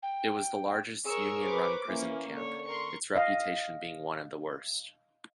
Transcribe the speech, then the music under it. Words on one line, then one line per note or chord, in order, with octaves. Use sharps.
It was the largest Union-run prison camp, its reputation being one of the worst.
G5
G#4 A#4 C#5 C#6 E6
B4 C5 D6
E3 A#3 C#4
D3 C#5
A#4 C6 C#6
D#5 F5